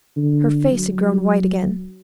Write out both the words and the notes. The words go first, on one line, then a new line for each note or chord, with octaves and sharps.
Her face had grown white again.
D3
F#3